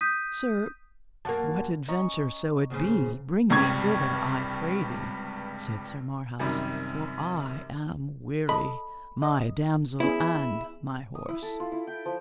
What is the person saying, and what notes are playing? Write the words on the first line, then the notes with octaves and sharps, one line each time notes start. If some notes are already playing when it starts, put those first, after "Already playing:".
Sir, what adventure so it be, bring me thither I pray thee, said Sir Marhaus; for I am weary, my damosel, and my horse.
D#6 G6 B6 D#7
F#2 A#3 F#5 A5
C#4 D#5 A#5 C#6
D#2 G#2 C#3
C#2 G2 C3 G3 C#6 G#6
F#2 C3 D#3 G3
A4 D#5 B5
D#5
B3 C#4 E4 G#4
D#6
E4
A4
F4
E4
G5
F3